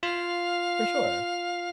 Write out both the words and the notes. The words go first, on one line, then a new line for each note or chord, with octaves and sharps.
For sure.
F4 F5